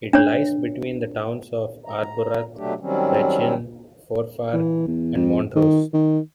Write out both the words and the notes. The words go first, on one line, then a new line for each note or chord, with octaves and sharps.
It lies between the towns of Arbroath, Brechin, Forfar and Montrose.
D4 C#5
A#5
B2 F#3 A3 D4 G4
D#3 F#3 G3 C4 C#4
E3
E2
F2
D#3
D#3